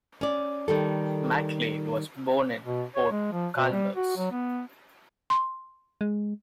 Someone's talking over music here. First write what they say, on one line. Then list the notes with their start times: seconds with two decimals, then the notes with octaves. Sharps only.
Mackley was born in Port Chalmers.
0.21 C#4 D5
0.68 D#3 G3 A4
2.64 B2
2.96 C#5
3.11 G#3
3.32 F3
3.56 B2
3.72 G3
3.96 F#4
4.17 F#3
4.31 B3
5.30 C6
6.01 G#3